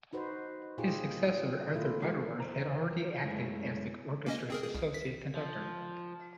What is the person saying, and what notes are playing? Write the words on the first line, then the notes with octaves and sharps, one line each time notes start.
His successor, Arthur Butterworth, had already acted as the orchestra's associate conductor.
D#4 F#4 B4 C5
A#2 D#4 F4 G4 G#4
A#2 A3 E4 F4
G#3 F#4
E2 C5 A#5
F#2 G#3 A3 C#4 E4 G#4
A#3 C#4 D#5
C4 G#4 A#4
G#4
C2
B6
F3